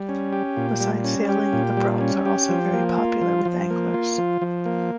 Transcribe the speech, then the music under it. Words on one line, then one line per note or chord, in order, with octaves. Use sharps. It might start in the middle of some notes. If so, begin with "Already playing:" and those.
Besides sailing, the broads are also very popular with anglers.
Already playing: G3
C#4
G4
A#2
G3
C#4
G4
A#2
G3
C#4
G4
F3
A#3
F4
F3
F3
A#3
F4
F3
F3
A#3